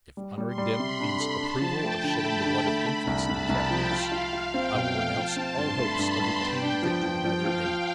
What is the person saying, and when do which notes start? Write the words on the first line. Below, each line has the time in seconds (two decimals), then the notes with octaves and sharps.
"If honouring them means approval of shedding the blood of infants and captives, I will renounce all hopes of obtaining victory by their aid."
0.17 G3
0.38 G3
0.47 C6
0.58 G3
0.79 C3 B5
1.00 D4
1.20 A4
1.41 D4 A5
1.62 F3
1.73 G5
1.83 A3
2.04 D3 B5
2.24 A3
2.35 B5
2.45 D3
2.66 A3 B5
2.86 A3
3.07 C2
3.29 C2 A5
3.49 C2
3.60 G5
3.71 F3
3.91 F4 F5
4.12 F4
4.33 F4
4.54 C4 G5
4.74 B2
4.95 A3
5.16 F3 A5
5.36 C4
5.48 C6
5.58 G2
5.78 A3 B5
5.99 G2
6.09 B5
6.20 G2
6.41 B3 G5
6.62 D4
6.83 F3
7.03 F3
7.25 F3
7.34 F5
7.45 F3
7.66 F3